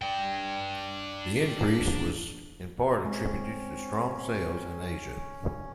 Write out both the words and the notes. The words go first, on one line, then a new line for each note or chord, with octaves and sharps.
The increase was in part attributed to strong sales in Asia.
D4 G5
G#3 C4 C#4